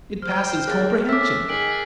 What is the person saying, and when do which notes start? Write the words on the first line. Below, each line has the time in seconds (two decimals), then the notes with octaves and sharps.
It passes comprehension.
0.22 C5 G5 F6
0.67 D#2 G#4 F#6 A6
1.09 A3 C#4 D6 E6 B6
1.48 D#3 G#4 B6 D7 F#7